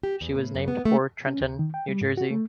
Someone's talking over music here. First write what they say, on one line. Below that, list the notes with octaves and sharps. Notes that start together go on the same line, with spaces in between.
She was named for Trenton, New Jersey.
G4
E2
A2
F#2
B3
A3
C#4
D2
D#3
G5
G3
G#2
F#4
A3